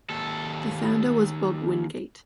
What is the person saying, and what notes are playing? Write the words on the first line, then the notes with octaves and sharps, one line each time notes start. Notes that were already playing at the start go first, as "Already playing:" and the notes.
The founder was Bob Wingate.
D#2 A4